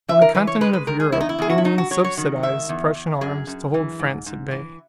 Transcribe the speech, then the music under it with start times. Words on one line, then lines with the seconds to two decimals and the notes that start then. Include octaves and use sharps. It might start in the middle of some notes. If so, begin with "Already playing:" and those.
On the continent of Europe, England subsidized Prussian arms to hold France at bay.
0.08 E3 E5
0.22 A#4
0.35 E3 B4
0.47 C#5
0.61 G#3 B4
0.73 B4
0.87 D#3 A#4
1.00 G#4
1.12 E2 E4
1.21 D#4
1.29 E4
1.39 E2 G#4
1.50 F#4
1.58 E4
1.64 F#3 D#4
1.78 F#4
1.91 F#3 C#5
2.04 C#5
2.17 D#3
2.43 G#2 E5
2.69 E2
2.95 E2
3.21 F#2 G#4
3.47 F#2
3.74 E3
3.99 G#2
4.26 G#2
4.51 E3